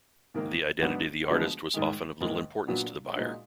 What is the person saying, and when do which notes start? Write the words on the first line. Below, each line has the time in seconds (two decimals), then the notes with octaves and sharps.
The identity of the artist was often of little importance to the buyer.
0.34 G#2 D#3 A#3
0.81 G#2 F#3 B3 D4 F#4
1.28 D2 D3 F3 G#3 B3
1.74 G#2 D#3 G#3
2.21 G#2 D#3 A#3
2.68 A#2 F#3 B3 D4 F#4
3.15 A#2 G#3 D#4 F#4